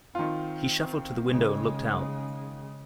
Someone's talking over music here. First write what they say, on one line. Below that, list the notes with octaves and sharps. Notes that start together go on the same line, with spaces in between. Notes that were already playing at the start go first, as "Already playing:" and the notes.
He shuffled to the window and looked out.
D#3 C4 F4
C#3 G#3